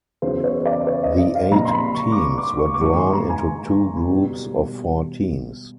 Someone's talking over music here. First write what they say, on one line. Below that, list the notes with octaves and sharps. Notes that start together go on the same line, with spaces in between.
The eight teams were drawn into two groups of four teams.
E2 C#3 F#3 B3 C5
C#5
D5
C#5
D#5
D#5
F5
A#1 A#2 G3 C4 A#5
C6
B5
C#6
D6
C#6
D6
C#6
D6
G#2 D#3 F#3 A#3 C#6
C6
A#5
G#5
B2 G3